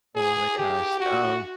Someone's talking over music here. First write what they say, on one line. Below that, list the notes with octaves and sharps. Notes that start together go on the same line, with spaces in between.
Oh my gosh, um
G#4
G4
F#4